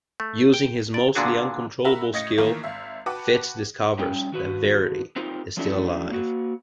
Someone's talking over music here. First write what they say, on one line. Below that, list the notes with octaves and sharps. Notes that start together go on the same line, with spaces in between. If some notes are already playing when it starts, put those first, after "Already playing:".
Using his mostly uncontrollable Skill, Fitz discovers that Verity is still alive.
A3
G5
D5
A#2 D3 B3 D4 F#4 G#4
F#4 A#4 E5 B5
A2 D#5 G#6 A#6 C#7
D#3 E3 A3 A#3 F4
G#1 E5 F5
F#4 B4 F#5 G5 A5 D6
G2 G3 C#4 G5
D#3 F#4 B4
C4 D#4 F4 G4 A#4 C5
F3 F#3 A3 C#4 D4 E4
A#3 F#4